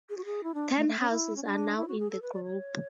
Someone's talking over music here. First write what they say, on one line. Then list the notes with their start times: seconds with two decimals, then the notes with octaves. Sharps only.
Ten houses are now in the group.
0.10 G#4
0.17 F#4
0.25 G#4
0.44 E4
0.54 D4
0.77 A3
0.88 A3
0.99 C#4
1.10 E4
1.36 C#4
1.44 D4
1.77 E4
1.88 F#4
1.99 G#4
2.10 A4
2.22 B4
2.34 D5
2.44 C#5